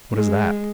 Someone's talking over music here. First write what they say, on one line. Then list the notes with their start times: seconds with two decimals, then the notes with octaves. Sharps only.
"What is that?"
0.12 G#3